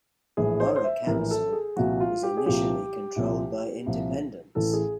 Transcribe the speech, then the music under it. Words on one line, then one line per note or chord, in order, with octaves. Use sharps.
The borough council was initially controlled by independents.
A#1 A2 E3 G#4
C5
C#5
C5
E5
A#1 A2 E3 A#4
A4
G#4
C2 A#2 F3 F#4
F4
G4
G#4
C2 A#2 F3 G4
C2 A#2 F3
C2 A#2 F3
A1 A2 E3 A4
G#4